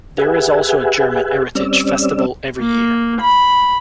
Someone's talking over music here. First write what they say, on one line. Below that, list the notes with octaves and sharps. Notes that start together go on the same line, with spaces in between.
There is also a German Heritage Festival every year.
G4 G#4 B4 E5 F#5 G#5
G3 C4 C#4 D5 E6
A#3
B5